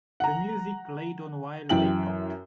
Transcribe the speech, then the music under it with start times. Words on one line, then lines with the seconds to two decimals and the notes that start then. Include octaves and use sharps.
The music played on while they talked.
0.20 F#5 A#5
1.69 F#2 E3 G5 F#7